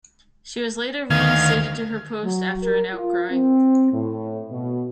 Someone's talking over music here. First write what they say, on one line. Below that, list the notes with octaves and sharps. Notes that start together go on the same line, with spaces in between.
She was later re-instated to her post after an outcry.
D2 D#3 F5 G#6
F#3
A#4
F4
C4
A2
B2